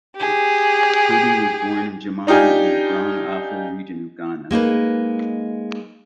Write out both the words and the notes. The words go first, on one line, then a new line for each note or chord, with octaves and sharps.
Kubi was born in Jaman in the Brong Ahafo region of Ghana.
G4 G#4
D4 D#4 F4 G4 G#5
G#3 A#3 D#4 B4